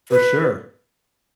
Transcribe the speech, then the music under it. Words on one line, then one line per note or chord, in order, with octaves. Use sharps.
For sure.
B4